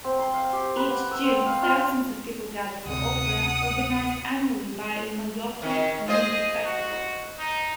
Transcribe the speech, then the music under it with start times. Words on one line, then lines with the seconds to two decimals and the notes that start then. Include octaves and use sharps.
Each June, thousands of people gather for opera, organized annually by Ilmajoki Music Festival.
0.04 C4
0.19 C6
0.34 F5
0.53 G4
0.77 B4
0.90 F#5
1.11 E6
1.24 C4
1.46 F5
1.63 F4
2.86 D2 G#2 C3 F#5 D#6
5.62 D#3 C#4
6.08 F4 G#4 C5 D#5
6.65 F#4
7.39 D#4